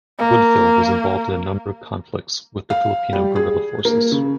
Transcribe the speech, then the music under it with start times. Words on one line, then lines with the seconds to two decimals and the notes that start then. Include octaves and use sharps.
Woodfill was involved in a number of conflicts with the Filipino guerrilla forces.
0.19 A#3
2.70 F5
3.13 G3
3.36 G#4
3.85 A#3
4.12 C#3